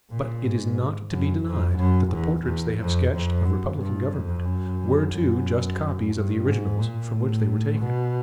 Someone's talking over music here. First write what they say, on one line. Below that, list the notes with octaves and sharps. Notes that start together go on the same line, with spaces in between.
But it is not to be denied that the portraits they have sketched of republican government were too just copies of the originals from which they were taken.
A#2
G#2
F#2
F2
F#2
E2
E2
F2
F2
F#2
G2
F2
F#2
F#2
G2
G#2
A#2
A2
B2